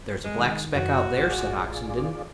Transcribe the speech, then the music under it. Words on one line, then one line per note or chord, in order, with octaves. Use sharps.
"There's a black speck out there," said Oxenden.
G#3
D#3
F#2 F#4
A1 F4 G#4 D5